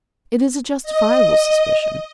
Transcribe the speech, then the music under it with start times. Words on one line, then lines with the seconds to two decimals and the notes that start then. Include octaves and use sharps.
It is a justifiable suspicion.
0.83 D#5